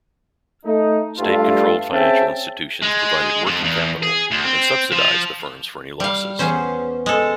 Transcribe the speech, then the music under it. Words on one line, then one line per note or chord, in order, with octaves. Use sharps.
State-controlled financial institutions provided working capital and subsidized the firms for any losses.
A3 D#4
G2 A3 F4
C4 C#4 G#4 E5 G5 A5
G#3
F2
E2
G#4
D2
C4
F3
G3 F5
E2 B3 C#4 G#4 C5
G#3 A4